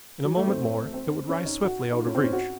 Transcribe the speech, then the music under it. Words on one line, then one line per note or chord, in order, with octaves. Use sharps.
In a moment more it would rise swiftly out of reach.
F#3
A3
C4
C4
C#4
D#4
F#4
D#4
F4
C#4
C4
C#4
F#4